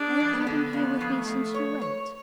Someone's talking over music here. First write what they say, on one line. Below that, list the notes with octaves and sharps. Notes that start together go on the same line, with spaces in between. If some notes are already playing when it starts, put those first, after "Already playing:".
"I have had him here with me since you went."
Already playing: G#3 D4
F2
B3
D3
F2 B3
F2
A3
F2
C#5
C#5